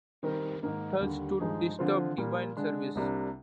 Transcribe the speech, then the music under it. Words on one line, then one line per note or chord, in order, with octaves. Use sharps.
Thus to disturb divine Service!
D#3 G3 C4 G4 A#4
G#2 D#3 A#3 D#4
D#2 D3 G3
G2 F3 G#3 D#4 G#4
D3 F3 C4 F4 C5
A#2 G3 A#3
D3 G#3 D4
C2 C3 G3 A#3 D4